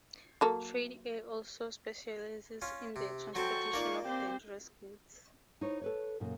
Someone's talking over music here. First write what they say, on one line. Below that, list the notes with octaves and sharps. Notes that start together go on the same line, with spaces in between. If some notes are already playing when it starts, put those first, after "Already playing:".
Trade Air also specialises in the transportation of dangerous goods.
F#3 A#3 A4
C#4 F4
C3
F#3 C4 F#4 A4 G5 C#6
A#3 D#4 F4 D5
C4 G4 C5
D#4 E4 C5 C#5
A4 B4 C#5
F#2 A#2 C#3